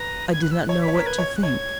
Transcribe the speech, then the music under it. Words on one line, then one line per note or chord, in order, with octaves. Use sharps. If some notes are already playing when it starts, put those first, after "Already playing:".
I did not know what to think.
Already playing: B4 A#5
G#6
F#6
E6
F#6
C#5 G#6
B6
C#5
A#4 B6
B4 G#6
C#5
F#6
C#5 G#6